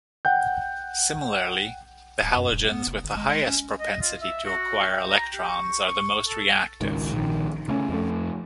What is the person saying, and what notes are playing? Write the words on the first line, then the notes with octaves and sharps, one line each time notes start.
Similarly, the halogens with the highest propensity to acquire electrons are the most reactive.
F#5 G5 G6
D1
F#2
D#1
B3
F1
G1
G#3
G#3
C#4
D#5
F4
E5
F#4
G5
A#5
G4
C#6
C#6
A4
G#1 C#2 D#3
A#1 D#3
C#3 A3 C#4
F2 A3